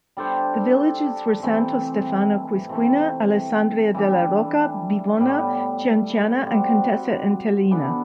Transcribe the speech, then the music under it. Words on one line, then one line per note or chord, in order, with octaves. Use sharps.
The villages were Santo Stefano Quisquina, Alessandria della Rocca, Bivona, Cianciana, and Contessa Entellina.
G3 D4 A4 C5
C3 E3 A3 C4
C3 E3 A3
E3 G3 D4
A2 G3 B3
G3 C4 F#4
E3 B3 D4 A4